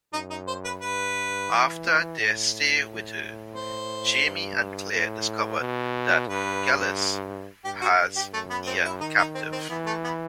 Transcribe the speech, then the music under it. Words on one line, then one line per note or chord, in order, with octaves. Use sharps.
After their stay with her, Jamie and Claire discover that Geillis has Ian captive.
F#2 D#4
D#4
C5
B4
G2 B4
E3
A2
C5
G2
A2
B2
G2 B4
G2 G4
F#4
G2
G4
F#2 A3
B3
C4
E4
D#3 D#4
D#4
C4
C4
E3 B3
A3
B3